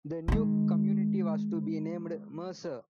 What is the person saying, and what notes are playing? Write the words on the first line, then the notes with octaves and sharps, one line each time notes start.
The new community was to be named Mercer.
D#3 G#3